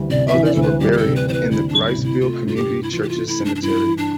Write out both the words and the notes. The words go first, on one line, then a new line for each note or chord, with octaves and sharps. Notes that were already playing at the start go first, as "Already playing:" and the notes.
Others were buried in the Briceville Community Church's cemetery.
Already playing: D2 E3 G3
C3 D5
E5
E3
D5
D2 A4
B4
G3 G4
G4
A4
C3
B4
E3 C5
B4
D2 E4
D4
G3
E4
C3
E4
A3 F4
G2 F4
G4
G2
E4
E3 F4
G4
F4
A3
E4
G2
D4
D4
G2 E4
E3
D4